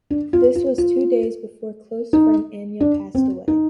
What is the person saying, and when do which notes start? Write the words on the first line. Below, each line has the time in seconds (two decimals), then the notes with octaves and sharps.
This was two days before close friend Ano passed away.
0.10 D4
0.33 F4
0.55 F4
0.78 F4
2.13 D#4
2.81 D4
3.15 C4
3.48 D#4